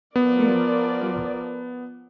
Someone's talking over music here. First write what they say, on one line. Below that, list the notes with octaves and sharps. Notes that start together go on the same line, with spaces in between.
Mm, mm.
F3 B3 A#4 D5